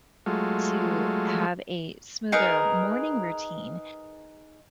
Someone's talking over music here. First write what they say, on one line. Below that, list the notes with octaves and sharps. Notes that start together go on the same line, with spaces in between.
to have a smoother morning routine,
F#3 G#3 A3 F4
D#4 G#4 A#4 B4